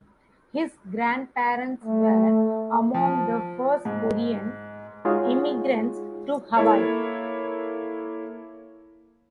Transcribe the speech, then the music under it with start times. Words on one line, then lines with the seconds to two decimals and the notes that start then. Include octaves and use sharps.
His grandparents were among the first Korean immigrants to Hawaii.
1.84 A3
2.94 F3
3.85 G#2
5.05 G#3 D#4 F4 F#4 G#4 C#5
6.57 A#3 E4 A4 C#5